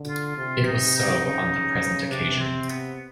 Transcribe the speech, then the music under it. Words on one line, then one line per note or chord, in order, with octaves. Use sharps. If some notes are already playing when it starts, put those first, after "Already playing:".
It was so on the present occasion.
Already playing: D3
F4
C3 F4
D#4
D#4
C#3 D#4
C3 D4
C4
B3